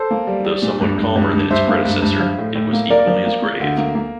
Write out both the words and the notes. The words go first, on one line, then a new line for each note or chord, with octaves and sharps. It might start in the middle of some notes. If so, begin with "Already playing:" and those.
Though somewhat calmer than its predecessor, it was equally as grave.
Already playing: A4 C5
A#3
G3
G3
A#2
G2
G2
G2
G2
G2 C5 E5
A#3
G2
G2
F3
A2
A2
A#3
A#3 A#4 D5
F3
A#3
A#3
D2
A#3
A#3